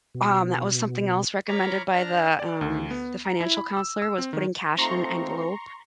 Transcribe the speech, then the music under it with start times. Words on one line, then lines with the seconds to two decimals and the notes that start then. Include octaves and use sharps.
um, that was something else recommended by the, um, the financial counselor, was putting cash in an envelope.
0.15 B2
1.48 C#5 A#5 B5 C#6 D6 F6
1.92 D4 A#5 F6
2.40 D5
2.61 D2
2.91 B3
3.25 A#5
3.41 E4
3.57 B5
3.77 E6
4.02 E6
4.18 C4
4.33 D#3
4.78 A3 C4 D#4 F4 A#5 C6 C#6